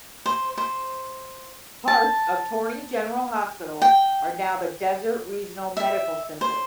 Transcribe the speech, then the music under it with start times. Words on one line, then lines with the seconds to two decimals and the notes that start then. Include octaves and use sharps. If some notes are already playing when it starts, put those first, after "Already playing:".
Parts of Torney General Hospital are now the Desert Regional Medical Center.
0.26 C5
0.58 C5
1.88 A5
3.82 G5
5.77 E5
6.41 C5